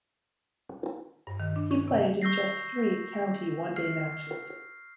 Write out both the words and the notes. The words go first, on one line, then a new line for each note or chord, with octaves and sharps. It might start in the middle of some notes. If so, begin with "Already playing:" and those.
He played in just three county one day matches.
G2
D#3
D4
C#6
C3
C#6 E6 G6 A#6 C7
F6 C7